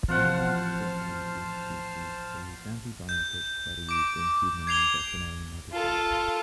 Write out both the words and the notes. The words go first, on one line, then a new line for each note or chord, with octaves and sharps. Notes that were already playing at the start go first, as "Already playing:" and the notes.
Numerous Streptomyces species produce antibiotics that are used in human and veterinary medicine.
A1 F3 C4 F4 C5 F#5 A5 F6
G6
D6 D7
G#6 C7 F7 G7
F4 A4